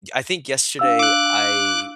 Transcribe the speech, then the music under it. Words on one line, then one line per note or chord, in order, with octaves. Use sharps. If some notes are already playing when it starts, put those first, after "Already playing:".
I think yesterday, I
D4 F5 E6
D6 F#6